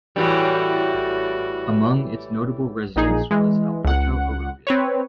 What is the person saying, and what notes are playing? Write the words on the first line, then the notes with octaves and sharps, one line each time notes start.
Among its notable residents was Alberto Arroyo.
A2 E3 G3 F#4
A#1 A#2 D#4 G#4
E3 G#3
C#2 F#5
C4 B4 C#5